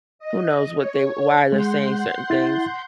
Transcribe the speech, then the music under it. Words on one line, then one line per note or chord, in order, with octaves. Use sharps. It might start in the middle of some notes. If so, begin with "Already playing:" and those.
who knows what they why they're saying certain things.
D#5
C#5
G#3 F#5 C6 G6
E4 A6